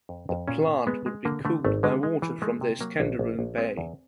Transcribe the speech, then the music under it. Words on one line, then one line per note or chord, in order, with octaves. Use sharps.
The plant would be cooled by water from Iskenderun Bay.
F2
F2
A#2 C#4
A#2
G#3 B3
G#3
D3 A#3
D3 A3
G#1 A3
D3 G#3
G#3
E3
G#3 A3
C3
F#3 A#3
A#1
A#1
A#1
G#3 C4
E2